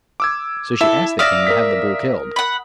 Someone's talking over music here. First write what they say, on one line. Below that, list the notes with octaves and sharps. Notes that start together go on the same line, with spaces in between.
So she asked the king to have the bull killed.
D6 E6 G#6
E4 A4 E5
D5 E5 F5 D#6 A#6
A#4 B6
F#5 B5